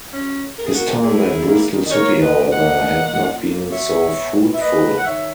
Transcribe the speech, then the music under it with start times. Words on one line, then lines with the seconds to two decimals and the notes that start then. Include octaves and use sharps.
His time at Bristol City, however, had not been so fruitful.
0.11 F#3 C#4
0.34 C#3
0.56 A#3 A#4
0.64 G#4
0.73 F#4 A#4
0.78 C#3
1.01 F#3 E4 G#4
1.23 D#3
1.45 A#3
1.68 D#3
1.83 D#5
1.91 A#3 A#4 C#5
2.13 B2
2.20 B4 D#5
2.36 B2
2.50 D#5 F#5
2.58 A#3
2.81 A#3
3.03 A#2
3.25 A#2
3.47 A#3
3.70 F#3 C#5 E5
3.92 B2
4.15 B3
4.37 B2
4.53 E5
4.60 A#3 B4 D#5
4.82 D#3
4.97 F#5
5.04 D#3 C#5 E5